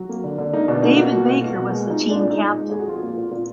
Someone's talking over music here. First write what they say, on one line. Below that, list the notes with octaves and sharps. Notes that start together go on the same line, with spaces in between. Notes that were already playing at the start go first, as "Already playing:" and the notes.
David Baker was the team captain.
Already playing: F#3 F#4
A#3
D3
D3
A#3 D#4
B2 D4
A#3 D#4
B2 F#4
A#3 F#4
B2
A#3 F#4
B2
G#3
A#2 D#4
G#3
A#2 D4
G#3 D#4
A#2
G#3
A#2 G#4
F#4
F3 F4
A#3
A#2
A#2